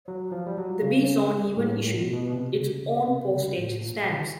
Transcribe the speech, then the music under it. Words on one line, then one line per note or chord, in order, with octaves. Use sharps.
The B zone even issued its own postage stamps.
F#3
F3
G3
F#3
C#3
A2
A2
B2
B2
B2
C3
C#3
C#3
C3
C#3
A2
A#2
D3